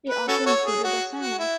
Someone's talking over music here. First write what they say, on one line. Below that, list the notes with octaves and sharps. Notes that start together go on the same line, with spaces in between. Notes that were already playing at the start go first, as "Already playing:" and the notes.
It also included a sauna.
B4
C#4 F#4 A4
F#4 A4 C#5
G#4
F#4
F#4
E4